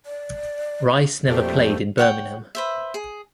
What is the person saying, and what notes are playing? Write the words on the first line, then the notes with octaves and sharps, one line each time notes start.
Rice never played in Birmingham.
D5
F2 A#2 G3 A3 G4 C5
C#5 F#5 G5
B4 C5 E5
G#4